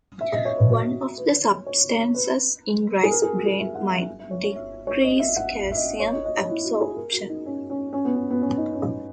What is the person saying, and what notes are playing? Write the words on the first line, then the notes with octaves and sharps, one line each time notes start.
One of the substances in rice bran might decrease calcium absorption.
E5
D#5
C#5
B4
F#4
B4
C#5
C#5
C#5
B4
G#4
A#4
G#4
F#4
G#4
E5
F#5
E5
E5
C#5
C#5
E5
C#5
D#5
E5
F#5
E5
D#5
C#5
D#5
D#5
C#5
E4
F#4
G#4
A#4
F#4
D#4
C#4
C#4
C#4
B3
C#4
B3
C#4
D#4
C#4